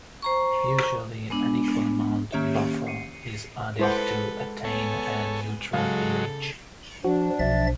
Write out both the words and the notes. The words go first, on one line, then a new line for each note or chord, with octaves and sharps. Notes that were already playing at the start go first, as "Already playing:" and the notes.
Usually an equal amount of buffer is added to attain a neutral pH.
C5 A#5 C#6
G#3 B3 D4
D#3 A#3 C#4 G4 C#5 E5
C7 C#7 D#7
G#3 E4 A4 B4 C5 F#5 D6
B3 A4 C#5 G#5
C#3 F#3 G#3 A4 F5
F3 D4 F#4
B1 F3 E5 A6